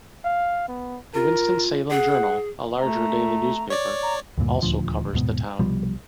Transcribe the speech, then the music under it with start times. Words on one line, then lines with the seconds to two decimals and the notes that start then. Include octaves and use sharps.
The Winston-Salem Journal, a larger daily newspaper, also covers the town.
0.24 F5
0.68 B3
1.14 F4 A#4
1.91 G#4 F#5
2.81 A3 A#5
3.70 C#5 D5
4.03 A#5
4.38 D2 G2 A#2
4.63 D#1 D2 F3
5.13 D#1 G#2 B2
5.60 C2 B2 F3 G3